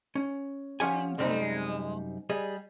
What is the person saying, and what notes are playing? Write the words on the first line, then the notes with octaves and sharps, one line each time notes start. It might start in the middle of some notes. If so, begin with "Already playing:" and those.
Thank you.
C#4
F3 C#4 G4 F#5 G#5
F#2 C3 G3 C4 C#4 D#4
G3 G#4 D#5